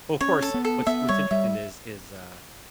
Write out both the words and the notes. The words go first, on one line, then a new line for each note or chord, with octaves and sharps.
Well, of course, what's what's interesting is is, uh,
C#4 C#5
A4
B3
A4
B3 E5
G3 C#5
G3 E5